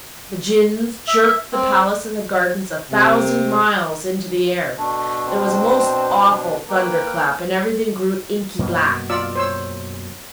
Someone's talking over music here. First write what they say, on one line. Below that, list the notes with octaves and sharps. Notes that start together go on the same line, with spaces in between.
The Djinns jerked the Palace and the gardens a thousand miles into the air: there was a most awful thunder-clap, and everything grew inky-black.
E5
C4
C3
B2 A3 D4
C4
A#3 B4 G5
F#2 B2 A#3
F4 D5 E6
C5 C#5 E6